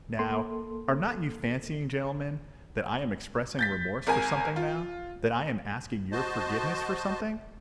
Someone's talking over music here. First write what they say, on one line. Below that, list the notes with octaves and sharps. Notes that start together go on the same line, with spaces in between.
Now, are not you fancying, gentlemen, that I am expressing remorse for something now, that I am asking your forgiveness for something?
A#3 A4 C6
G6 A6 B6
G#1 A#4 G#5
F4
F#4 C5 D#5 A5